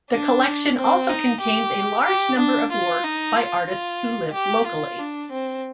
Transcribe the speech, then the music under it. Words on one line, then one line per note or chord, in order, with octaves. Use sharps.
The collection also contains a large number of works by artists who lived locally.
D4
C4
D#4
G4
G4
D4
F4
D#4
F4
F4
G4
F4
D4
C4